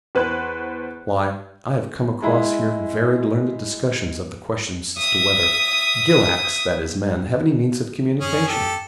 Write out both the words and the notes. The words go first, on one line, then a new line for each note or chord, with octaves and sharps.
Why, I have come across here very learned discussions of the question as to whether gilaks, that is men, have any means of communication.
E2 B4 C5 F#6
G#3 E4 B5
E5 D#6
F#2 C#4 G#4
G4 A4